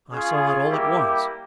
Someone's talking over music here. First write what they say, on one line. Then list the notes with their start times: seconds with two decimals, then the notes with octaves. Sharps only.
I saw it all at once.
0.11 C#4 F4 G#4
0.68 G3 A#3 E4 G4